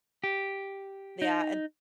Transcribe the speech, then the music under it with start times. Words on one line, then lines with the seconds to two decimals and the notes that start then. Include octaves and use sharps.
Yeah, and
0.24 G4
1.22 D#4